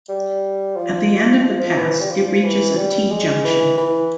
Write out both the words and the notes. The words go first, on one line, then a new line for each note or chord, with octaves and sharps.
At the end of the pass, it reaches a t-junction.
G3
F3
F3
F3
E3
G3
F3
E3
G3
G#3
E3
E3